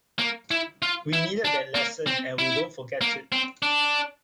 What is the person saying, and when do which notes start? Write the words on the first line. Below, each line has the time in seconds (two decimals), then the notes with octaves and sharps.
We needed that lesson, and we won't forget it.
0.19 A#3
0.51 E4
0.82 F4
1.13 E4
1.45 D4
1.75 A#3
2.07 C4
2.39 E4
3.01 A#3
3.32 C4
3.63 D4